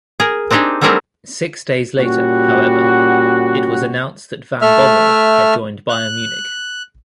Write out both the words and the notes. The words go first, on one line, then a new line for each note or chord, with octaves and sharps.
Six days later, however, it was announced that Van Bommel had joined Bayern Munich.
G#4 A#4
C4 D4 D#4 G4 G#4
F#3 G3 A3 C4 G#4 A#4
A#2 G3 C#4 F#4
A3 E5 F6
F#6